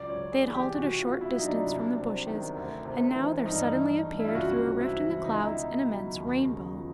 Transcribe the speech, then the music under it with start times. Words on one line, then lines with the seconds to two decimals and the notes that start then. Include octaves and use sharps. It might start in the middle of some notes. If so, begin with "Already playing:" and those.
They had halted a short distance from the bushes and now there suddenly appeared through a rift in the clouds an immense Rainbow.
Already playing: C#2 F#3 D5
0.09 C#5
0.17 C#3
0.32 G#4
0.46 E3
0.54 G4
0.76 C2 F#4
0.99 F4
1.06 B2
1.21 E4
1.36 F#3 D#4
1.44 D4
1.66 C2
1.96 C3
2.27 D#3
2.56 D2
2.85 C3
3.15 E3
3.45 G2 D#4
3.76 E3
4.05 G2
4.20 E4
4.28 F4
4.35 C#2 F#4
4.65 C3
4.81 E4
4.95 E3
5.24 C#2 D#4
5.35 E4
5.45 D#4
5.54 B2
5.85 F#3
6.15 D#2
6.44 C#3
6.75 F3